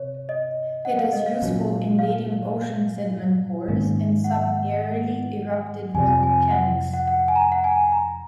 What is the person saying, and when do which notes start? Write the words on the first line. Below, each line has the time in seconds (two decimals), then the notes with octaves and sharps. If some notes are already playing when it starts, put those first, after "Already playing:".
It is useful in dating ocean sediment cores and subaerially erupted volcanics.
Already playing: C3 C#5
0.29 D#5
0.85 F#5
0.99 F5
1.13 D#5
1.26 F5
1.42 A#2 F#3 C#4
1.99 F5
3.68 G#2 D#3 A#3 C#4
4.24 F#5
5.94 F2 C3 F3 C4 G#5
6.23 G#5
6.51 F#5
6.93 F#5
7.07 F#5
7.28 G#5
7.36 A#5
7.52 F#5
7.64 G#5
7.92 A#5